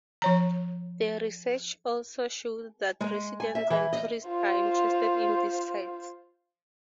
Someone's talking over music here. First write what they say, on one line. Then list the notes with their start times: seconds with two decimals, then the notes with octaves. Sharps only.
The research also showed that residents and tourists are interested in these sites.
0.22 F3 C#5 A#5
3.01 G#3
3.40 G#5
3.55 E5
3.70 E3
3.93 D#5
4.26 F4 C5